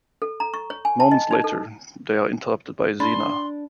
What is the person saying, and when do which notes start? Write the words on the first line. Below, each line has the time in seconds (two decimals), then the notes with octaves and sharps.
Moments later, they are interrupted by Zeena.
0.22 A4
0.40 A#5
0.54 C#6
0.70 C#5
0.85 G#5
1.00 A5
1.11 D#5
1.31 D#4
1.44 A4
3.00 D4 B5 C6